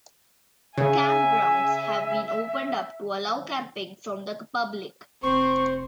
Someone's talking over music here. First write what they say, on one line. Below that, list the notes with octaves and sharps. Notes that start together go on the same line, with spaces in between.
The campgrounds have been opened up to allow camping from the public.
C#3 E5 G#5
F1 C4 C5 C#6